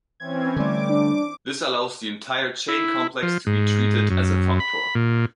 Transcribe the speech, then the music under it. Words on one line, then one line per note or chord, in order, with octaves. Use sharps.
This allows the entire chain complex to be treated as a functor.
E3 C4 C#4 G#6
D3 G3 A3 D6
D4
E4
F3
G#2
F#2
B5
A#2